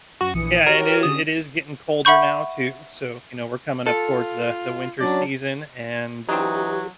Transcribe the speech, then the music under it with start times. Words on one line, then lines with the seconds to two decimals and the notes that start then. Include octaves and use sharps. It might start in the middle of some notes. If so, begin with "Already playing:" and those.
Yeah, and it is it is getting colder now too, so, you know, we're coming up towards the the winter season and,
0.21 F#2 F#4
0.34 A#1 E3 D#6 C#7
0.66 F#4 G4 A#4 C#5
1.03 D3 C#4 D#6
2.05 E5 F#5 B5 C#6 G6
3.86 F4 A4
5.00 F#3 C#4 D4 D5
6.29 E3 F#3 C4 D4 D#4 G4